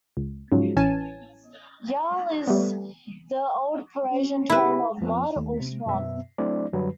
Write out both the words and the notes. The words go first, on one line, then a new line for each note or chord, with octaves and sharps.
'Ylow' is the Old Prussian term for 'mud' or 'swamp'.
C#2
G#2 C#3 F3 F#3
A1 E3 C#4 G#5 A5
G3 A3 B3
C#4
C#3 E4 G4 B4
F2 F3 B3 C4
D#2 A3
C3
F#2 B2 B3 E5
F#3 A3 C4 D4 E4 D5
F#2 D3 F#3 G3 B4